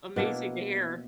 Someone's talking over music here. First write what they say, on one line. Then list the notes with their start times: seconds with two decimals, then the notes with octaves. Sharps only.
amazing to hear.
0.16 B2 A#3 D4 E4